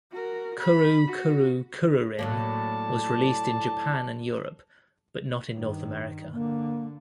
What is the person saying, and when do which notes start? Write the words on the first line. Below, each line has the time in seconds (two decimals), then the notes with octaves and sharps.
"Kuru Kuru Kururin" was released in Japan and Europe, but not in North America.
0.12 F#4 A#4
0.62 B5
1.07 F#4
2.19 A2 F#3 A#3 D5 A5
5.53 G2 D#3
6.33 D3 A#3